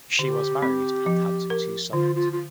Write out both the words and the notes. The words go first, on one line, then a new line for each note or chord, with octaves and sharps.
She was married and had two sons.
D3 G4
C4
F3
A#4
D3 F4
F4
F4